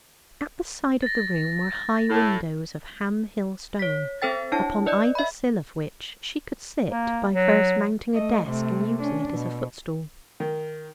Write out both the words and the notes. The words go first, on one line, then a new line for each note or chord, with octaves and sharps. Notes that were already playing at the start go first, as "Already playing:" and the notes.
At the side of the room were high windows of Ham-hill stone, upon either sill of which she could sit by first mounting a desk and using it as a footstool.
A6 A#6
A2
C#5 B6
C4 A4 C5 G5 A6
D4 E4 C#5 A5
B4 D5 D#5
E5 B5
A#3
F#3
A3 D#5
C3 A3
C#4 D4
B2
D#3